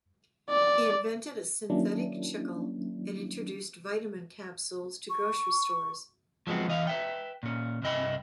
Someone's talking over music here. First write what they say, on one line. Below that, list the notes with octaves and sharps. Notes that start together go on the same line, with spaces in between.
He invented a synthetic chicle and introduced vitamin capsules to grocery stores.
D5
D#3 F#3 A#3 C#4 D4 E4
C#6
F3 F#3 G#3 B3 C4
E3 D#5 F5
B4 E5 G5
A#2 C#4
C2 G2 E4 D#5 G5 B5